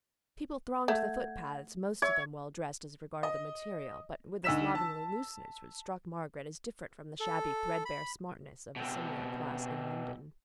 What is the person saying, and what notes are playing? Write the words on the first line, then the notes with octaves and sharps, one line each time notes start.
People thronged the footpaths, most of them well-dressed as regarded the material, but with a slovenly looseness which struck Margaret as different from the shabby, threadbare smartness of a similar class in London.
A3 F#5 G6 G#6
C#5 E5 E6
D#5
D2 D#4 E6 B6 E7
A5
A4
B5
B2 C4